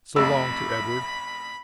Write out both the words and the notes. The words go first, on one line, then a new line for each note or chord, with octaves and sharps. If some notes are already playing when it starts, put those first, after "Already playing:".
"So long," to Edward.
A1 F2 B5 E6